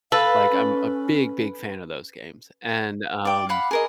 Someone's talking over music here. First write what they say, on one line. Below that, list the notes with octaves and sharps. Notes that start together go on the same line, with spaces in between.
like I'm a big, big fan of those games, and, um,
A4 B4 F5
C#4
D5 G5
F5 F#5 B5
G#4 A#4 D#5